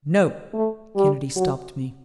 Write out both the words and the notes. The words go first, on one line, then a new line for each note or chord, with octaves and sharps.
"No!" Kennedy stopped me.
A3
G3
F#3